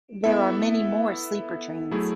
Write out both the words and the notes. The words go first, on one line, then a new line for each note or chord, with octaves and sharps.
There are many more sleeper trains.
B3 E4 A4 E5
F#3 A3 E4 G#4